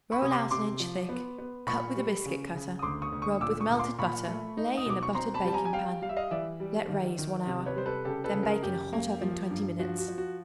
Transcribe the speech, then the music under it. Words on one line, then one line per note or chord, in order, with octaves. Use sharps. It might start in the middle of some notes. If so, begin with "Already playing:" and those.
Roll out an inch thick; cut with a biscuit-cutter; rub with melted butter; lay in a buttered baking-pan; let raise one hour; then bake in a hot oven twenty minutes.
B5 C#6
C3 D#6
C6 D6
C3 C6 D6
F3
B3
B3
A#2 B5 C#6
G3
C#3
C#3
D#6
D2 C6 D6
C#6 D#6
D2
C#6 D#6
A#2 D6 E6
C#6 D#6
A#2
C6 D6
A#2 B5 C#6
A3
D#4
D#6
B2 D6
C#6
C4 A#5 C6
A5 B5
G3 A5
G#5 A#5
G#5
G3 F5 G5
G3 F5
E5
D#5 F5
E3 D5 E5
G3
D#3
D#3
C3
B4 C#5
G3 C5
A4 B4
C#3 G4 A4
A4 B4
C#3
G#4 A#4
F#2 G4
A#3
F3
G2
F3 F#4
F#4
F3
F#4